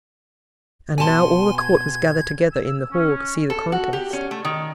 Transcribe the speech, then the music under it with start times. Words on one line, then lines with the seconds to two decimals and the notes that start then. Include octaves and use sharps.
And now all the court was gathered together in the hall to see the contest.
0.98 B2 G#5 A5 C6
1.58 G#6
2.52 E6
2.91 C#4
3.50 A4
3.72 F#4
3.93 G4
4.13 C#4
4.31 A3
4.45 D#3